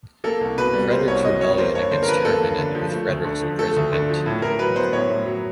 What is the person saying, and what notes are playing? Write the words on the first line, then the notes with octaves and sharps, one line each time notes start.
Frederick's rebellion against Hermann ended with Frederick's imprisonment.
A#3 A4
C2
B2 B4
G3
A#3 C5
C2 C#5
B2 D#5
G3 C#5
A#3 C5
G2 C#5
D3 C5
A#4
F3 B4
A#3 A4
G2
D3
F3
A3
D2
D3
F3
A3 A4
D2
D3
F3
A2
A2 A#4
F#3 B4
B3 C5
A2 C#5
A2
F#3